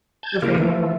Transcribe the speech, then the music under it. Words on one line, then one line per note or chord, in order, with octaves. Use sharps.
Good for you.
A5 G6 G#6
C#3 A#3 E4 F4 G4 A#4
E3 F3 A3